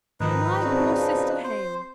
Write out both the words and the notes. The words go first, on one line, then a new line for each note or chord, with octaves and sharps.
My poor sister Hale!
G#2 D#3 F3 D#4 B4
C#3 F3 C4 D4 F#4
C5